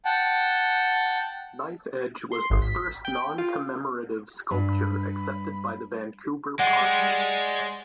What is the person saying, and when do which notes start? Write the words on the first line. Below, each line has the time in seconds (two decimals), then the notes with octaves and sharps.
Knife Edge was the first non-commemorative sculpture accepted by the Vancouver Park Board.
0.05 F#5 G5 A5
2.32 C6
2.50 G#1
2.62 B6
3.05 G5
3.38 F4
4.51 G2 B5
6.59 G#3 D5 F#5 G5